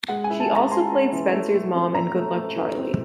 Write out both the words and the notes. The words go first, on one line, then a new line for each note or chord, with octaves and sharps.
She also played Spencer's mom in "Good Luck Charlie".
G#3 F#5
G#5
E4
A5
C#4
A#5
G#3 C6
C#4
E3
A3
A3
C4
A#2 A#5
A3
A3
E3
C4